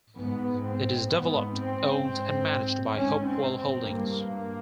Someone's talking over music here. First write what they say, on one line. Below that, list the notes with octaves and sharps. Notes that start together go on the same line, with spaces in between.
It is developed, owned and managed by Hopewell Holdings.
G#2 B3
C4
G#2 B3
C4
G#2
G#2 C#4
C4
C4
G2 A#3